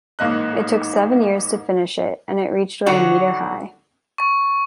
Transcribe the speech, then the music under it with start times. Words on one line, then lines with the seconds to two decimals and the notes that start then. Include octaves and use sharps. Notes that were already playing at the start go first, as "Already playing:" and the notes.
It took seven years to finish it and it reached about a meter high.
0.19 A1 G#2 A#3 D#5 F#6
2.86 D3 F#3 D#4 F#4
4.18 C#6